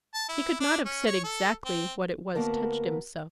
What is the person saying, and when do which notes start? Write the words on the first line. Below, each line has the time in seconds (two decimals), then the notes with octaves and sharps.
He could not have said exactly what it was touched him so.
0.15 A5
0.29 E4
0.61 D4
0.86 C#4
1.07 C#5
1.24 A4
1.65 C4
2.35 D2 A#3 B3 A#4 A5